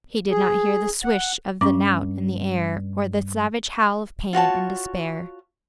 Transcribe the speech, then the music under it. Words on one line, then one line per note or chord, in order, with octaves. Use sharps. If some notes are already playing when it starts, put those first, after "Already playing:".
He did not hear the swish of the knout in the air or the savage howl of pain and despair.
G#4
F#5
G2 C#4 C#6 D6
F4 F#4 C#5 A5